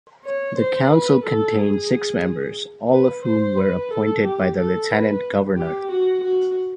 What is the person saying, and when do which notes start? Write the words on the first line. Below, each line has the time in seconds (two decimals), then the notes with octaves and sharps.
The council contained six members, all of whom were appointed by the Lieutenant-Governor.
0.25 C#5
0.58 C5
0.91 B4
1.25 A4
1.58 G#4
2.91 B4
3.24 C5
3.57 B4
3.91 A4
4.24 G4
4.58 A4
4.91 B4
5.57 G4
5.91 F#4
6.24 F#4